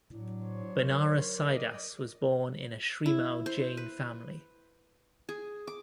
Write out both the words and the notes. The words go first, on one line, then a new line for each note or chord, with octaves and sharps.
Banarasidas was born in a Shrimal Jain family.
A2 F#3 D4
C5 C#5
A#4
D5 D#5
E4
C5
B4
G#4
D6